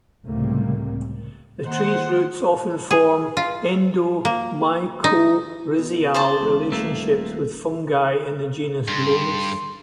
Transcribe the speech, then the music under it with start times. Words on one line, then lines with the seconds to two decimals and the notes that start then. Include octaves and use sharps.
The tree's roots often form endomycorrhizal relationships with fungi in the genus "Glomus".
0.24 C#2 A2 C3 G3 A#3 C4
1.64 D#3 A#3 C5 F#5
2.91 G#4
3.37 F4
4.25 A#3
5.04 D#4
5.79 B2
6.14 C5 D5 A5
6.40 E1
6.72 D#1 A3 A#3
8.88 G2 C6